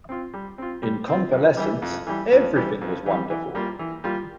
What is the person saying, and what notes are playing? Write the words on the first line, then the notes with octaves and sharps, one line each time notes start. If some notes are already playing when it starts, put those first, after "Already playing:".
In convalescence everything was wonderful.
C4 F4
G3
C4 F4
G3
C4 F4
F2
E3 G3
F2
E3 G3
F2
E3 G3
F2
E3 G3
E3
G3 A#3 F4
E3
G3 A#3 F4